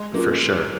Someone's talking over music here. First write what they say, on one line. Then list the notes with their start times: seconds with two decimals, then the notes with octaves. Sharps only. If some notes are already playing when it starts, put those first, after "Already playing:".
for sure.
Already playing: G#3
0.13 F#3 A#3 C#4 F4 A#4